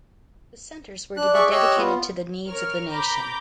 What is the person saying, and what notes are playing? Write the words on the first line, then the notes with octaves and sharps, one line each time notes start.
The centres were to be dedicated to the needs of the nation.
D4 F#6
G#4 D5 E5 C#6 F#6
G4 C#5 D#5 E6 F#6
B3 F4
A#4 C#5 F6
A#5 B5 D6 G6